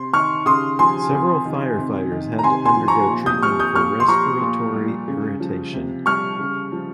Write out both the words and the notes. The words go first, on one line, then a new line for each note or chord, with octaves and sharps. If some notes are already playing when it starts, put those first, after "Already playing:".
Several firefighters had to undergo treatment for respiratory irritation.
Already playing: C3 C6
D#3 C#6 F6
C#3 C6 D#6
F3 G#5 C6
C3
D#3
C3
D#3
A#5
C3 G#5 C6
G#5 C6
F3
A#5 C#6
A#2
D#6 G6
F3 C#6 F6
D#6 G6
A#2 C#6 F6
C6
F3 A#5 C#6
A#2
G3
C#3
F3
C3
G3 C#6 F6
C#3
F3